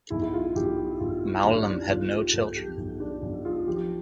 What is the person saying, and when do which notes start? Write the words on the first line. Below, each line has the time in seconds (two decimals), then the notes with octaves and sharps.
Mowlam had no children.
0.10 B1 E4
0.22 E4
0.34 F4
0.55 B1 G4
0.78 G4
1.00 B1 F4
1.36 E4
1.44 B1 D4
1.89 B1 F4
2.12 G4
2.33 B1 A4
2.56 G4
2.77 B1
3.00 D4
3.22 B1
3.45 F4
3.67 F3 G4